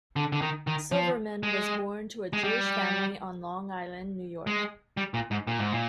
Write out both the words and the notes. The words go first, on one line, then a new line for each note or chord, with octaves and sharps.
Silverman was born to a Jewish family on Long Island, New York.
D3
D3
D#3
D#3
F3
G#3
G#3
G3
G#3
G3
A#2
G#2
A#2
G#2
A#2